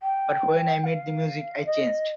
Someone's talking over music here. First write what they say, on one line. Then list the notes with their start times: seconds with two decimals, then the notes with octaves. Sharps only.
But when I met the music, I changed.
0.02 G5
0.84 F5
1.65 D#5